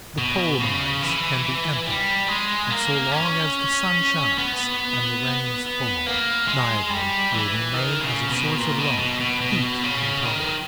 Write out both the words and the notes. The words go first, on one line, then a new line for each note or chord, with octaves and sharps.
The coal-mines can be emptied, but so long as the sun shines and the rains fall, Niagara will remain as a source of light, heat, and power.
B2
C#3
E3
G3
G#3
A#3
C#4
B3
A#3
G#3
G3
E3
D#3
C#3
B2
A#2
B2
B2
B2
B2
C#3
D#3